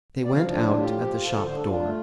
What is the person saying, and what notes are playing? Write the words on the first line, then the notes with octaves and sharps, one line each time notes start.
They went out at the shop door.
D5
F3 F5
D4
A4
A2 G4
F4 G4
F3
F4
F3 A4
C5
D3 A4
C5
D4 A4
D4 F4
A3